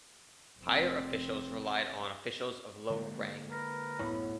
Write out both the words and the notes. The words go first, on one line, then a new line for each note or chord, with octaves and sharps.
Higher officials relied on officials of lower rang.
F1 C4
D3 G#3 A#3
A#4 B4
D1 F#2 A2 B3 F#5